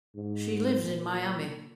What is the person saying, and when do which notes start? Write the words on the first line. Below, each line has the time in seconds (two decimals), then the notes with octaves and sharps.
She lives in Miami.
0.15 G#2
0.84 A#2